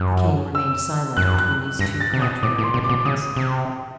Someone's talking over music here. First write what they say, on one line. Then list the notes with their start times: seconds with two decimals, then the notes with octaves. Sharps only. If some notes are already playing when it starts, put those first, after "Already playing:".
The king remained silent between these two contrary opinions.
Already playing: F#2
0.55 E6
1.17 F#2 F#6
1.38 F#6
1.79 G2 A#6
2.00 A6
2.13 C3
2.22 B2 D#6
2.43 A2 D6
2.58 A2
2.64 C6
2.74 B2
2.84 D6
2.89 B2
3.05 C#3 D#6
3.36 C3